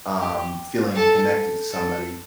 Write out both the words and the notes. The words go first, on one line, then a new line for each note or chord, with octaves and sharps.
um, feeling connected to somebody.
G4
A4
A4